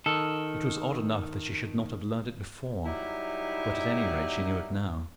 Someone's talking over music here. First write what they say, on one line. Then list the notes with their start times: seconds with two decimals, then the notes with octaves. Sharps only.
It was odd enough that she should not have learned it before, but at any rate she knew it now.
0.06 D#3 A4
2.84 F#3 G3 D#4 E4